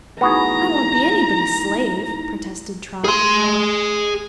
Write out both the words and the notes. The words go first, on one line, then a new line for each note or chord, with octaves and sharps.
"I won't be anybody's slave," protested Trot.
A3 B3 D#4 E4 F#4 G#4 A#5
G#4 C6